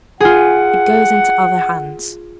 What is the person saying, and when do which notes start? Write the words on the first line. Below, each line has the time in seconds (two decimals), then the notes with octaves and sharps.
"It goes into other hands."
0.20 F4 G#4 F#5